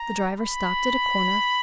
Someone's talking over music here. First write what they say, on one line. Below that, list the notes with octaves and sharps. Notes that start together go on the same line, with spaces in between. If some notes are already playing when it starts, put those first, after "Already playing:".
The driver stopped at a corner.
Already playing: A#5
B5